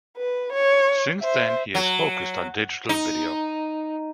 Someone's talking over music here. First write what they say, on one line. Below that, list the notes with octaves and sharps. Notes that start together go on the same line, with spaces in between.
Since then he has focused on digital video.
B4
C#5
C5 E5
F#3
D#4